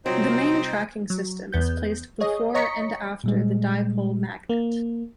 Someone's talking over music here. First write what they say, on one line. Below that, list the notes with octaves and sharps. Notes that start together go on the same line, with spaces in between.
The main tracking system is placed before and after the dipole magnet.
C3 F#3 G3 C4 D#4 F4 C5 D#5
F#3
E2 B3 G6
G#4 C#5 D#5
C#5 D#5 A#5 C#6 B6 C#7
A#2 G3 G#3
A#3